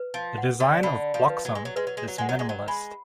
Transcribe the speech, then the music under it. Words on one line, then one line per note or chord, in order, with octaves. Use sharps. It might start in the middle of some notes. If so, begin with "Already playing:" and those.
The design of Blosxom is minimalist.
Already playing: B4
F3
F#5
D3
D3 B5
F3
B4
F#3
G#3
F#3
G#3 B4
F#3
G#3
F#3
G#3 F#5
F#3
G#3
F#3
G#3 B5